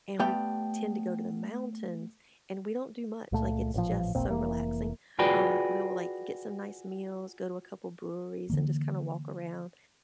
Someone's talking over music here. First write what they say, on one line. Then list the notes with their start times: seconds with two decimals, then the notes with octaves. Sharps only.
and we tend to go to the mountains, and we don't do much, like, it's just so relaxing, um, we will, like, get some nice meals, go to a couple breweries, and just kinda walk around,
0.19 A3 B3 G4 D5 G5
3.32 C#2 A#2 A3
3.74 A1 A#2 D3 F3
4.15 E1 A#1 A#2 C4
4.28 F1 E3 A#3
5.19 F4 F#4 G#4 B4 D5 G5
8.50 D3 E3 A#3